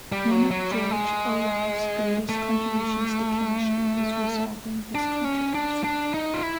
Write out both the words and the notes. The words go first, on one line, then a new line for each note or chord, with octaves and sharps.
One of George Olah's greatest contributions to chemistry was resolving this controversy.
G3
F#3
F#3
G3
G#3
A3
D4
C#4
D4
D4
D#4
F4
E4